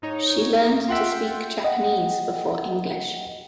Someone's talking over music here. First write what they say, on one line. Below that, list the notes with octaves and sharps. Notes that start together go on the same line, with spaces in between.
She learned to speak Japanese before English.
G#2 D#4 C#5
F4 E5 F#5 G5 C6
D#5 F#5 G5